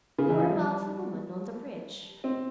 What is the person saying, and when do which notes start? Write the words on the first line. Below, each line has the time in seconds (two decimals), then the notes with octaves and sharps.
Or about the woman on the bridge?
0.18 C#3
0.29 E3
0.40 F3
0.50 G3
2.24 C4